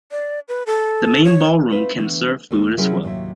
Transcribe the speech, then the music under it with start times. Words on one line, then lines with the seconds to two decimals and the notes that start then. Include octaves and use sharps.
The main ballroom can serve food as well.
0.11 D5
0.48 B4
0.66 A4
1.25 C#5
1.72 A3 C4 D#4 F4 B4
1.97 D3 E3 A3 B3
2.51 D#2 A4
2.77 C3 F#3 C#4 E4 G#4 A#4
3.03 D#2 A2 C3 F#3 E5